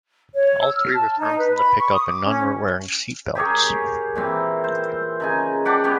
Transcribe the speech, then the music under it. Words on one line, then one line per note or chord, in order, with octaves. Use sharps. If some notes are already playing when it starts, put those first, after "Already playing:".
All three were thrown from the pickup and none were wearing seatbelts.
C#5
E6
F6
A5
D#4
B4
B5
C#6
D#6
D6
C#4
G4 G#4 A#4 C#5
A#2 E3 C4
C5
C#3 D#4 G#5
D4 G4 F#5 D6
B3 C#4 G4